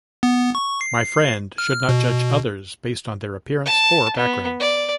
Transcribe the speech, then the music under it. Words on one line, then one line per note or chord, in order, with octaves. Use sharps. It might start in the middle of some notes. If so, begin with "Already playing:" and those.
My friend should not judge others based on their appearance or background.
B3
C#6
C7
F6
B2
A5
B3
D5